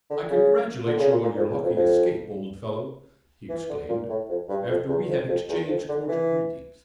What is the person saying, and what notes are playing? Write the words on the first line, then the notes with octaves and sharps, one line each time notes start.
"I congratulate you on your lucky escape, old fellow," he exclaimed, after we had exchanged cordial greetings.
D3
C#3
D3
C#3
A#2
A#2
F2
E2
F2
F2
E3
D3
A#2
A2
F2
G2
F2
E2
F2
F2
E2
F2
D3
E3